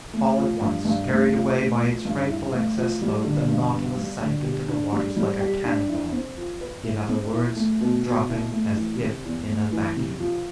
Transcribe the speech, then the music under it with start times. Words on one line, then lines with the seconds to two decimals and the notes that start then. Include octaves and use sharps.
All at once, carried away by its frightful excess load, the Nautilus sank into the waters like a cannonball, in other words, dropping as if in a vacuum!
0.13 A3
0.38 F3
0.61 G2
0.85 G2
1.09 A3
1.33 F3
1.58 A3
1.81 F3
2.05 G2
2.29 E4
2.53 A3
2.77 F3
3.02 G3
3.24 D3
3.48 G2
3.73 B3
3.97 G3
4.21 D3
4.44 G4
4.68 D4
4.93 G3
5.17 G3
5.41 G4
5.65 D4
5.89 E4
6.12 C4
6.37 F3
6.61 B4
6.85 E4
7.09 C4
7.33 E4
7.56 A3
7.81 B2
8.04 B2
8.29 E4
8.52 A3
8.77 E3
9.00 C3
9.25 E2
9.48 A3
9.72 E3
9.97 C3
10.20 F3